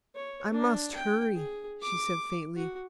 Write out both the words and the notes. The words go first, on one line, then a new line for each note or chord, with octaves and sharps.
"I must hurry," she said faintly.
C#5
D4
G5
G#4
D6
F#4